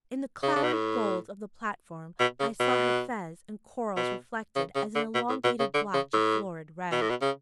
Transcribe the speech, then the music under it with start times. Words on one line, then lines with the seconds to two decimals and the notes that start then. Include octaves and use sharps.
In the clarid gold of the platform I saw her fez and corals reflected as an elongated blotch of florid red.
0.43 C#3
0.56 C#3
0.64 B2
0.73 A2
2.20 B2
2.40 C#3
2.60 B2
3.97 B2
4.56 C#3
4.75 C#3
4.95 D3
5.14 B2
5.29 A2
5.44 B2
5.59 C#3
5.74 D3
5.94 C#3
6.13 A2
6.92 B2
7.01 A2
7.10 B2
7.21 C#3